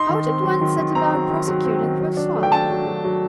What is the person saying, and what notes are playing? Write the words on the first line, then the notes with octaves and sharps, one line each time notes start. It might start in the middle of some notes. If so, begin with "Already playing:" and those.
How did one set about prosecuting for assault?
Already playing: D#4 C6
D#3
C4
F#3
D#3
D#3
C4 A#5
F#3
D#3
F#3
C4
D#3
F#3
D4
A3
G5
D4 A5
F#3
F#3
F#3